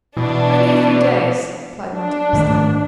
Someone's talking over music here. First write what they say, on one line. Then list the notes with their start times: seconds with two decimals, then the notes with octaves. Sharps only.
"Only a few days," replied Monte Cristo.
0.17 B2 E3 D4
1.95 D4
2.33 G#2 D#3 A3